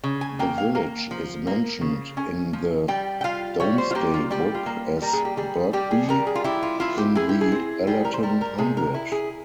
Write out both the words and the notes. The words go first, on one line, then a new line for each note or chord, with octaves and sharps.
The village is mentioned in the "Domesday Book" as "Bergbi" in the "Allerton" hundred.
C#3
G#5
A#3 G5
F5
A#3
F3
A#3
C#3
C#4 G#5
F3
G3 G5
G5
F4 F5
G3 C#5
C5
F4
A#3 G4
F4
G3 G4
F4
A#3
G3 A#4
G#4
G4
G3 G#4
G3 G4
G#4
G3 A#4
G#4
F4
E4 G4
F4
E4 F4
G4
E4 G#4
G4
G#4
C4
G3 G#4
A#4
C5
G3 A#4
A#4
C3 G#4
A#4
E4
G#4